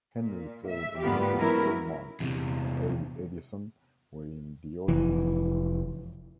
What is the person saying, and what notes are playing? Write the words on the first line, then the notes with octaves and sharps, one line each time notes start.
Henry Ford and Mrs. Thomas A. Edison were in the audience.
A#2
E5
G#2 D3 A#3 B3 F4 G4
E3 F#3 G#3 C#4 E4 A#4
E2 C3
F1 E3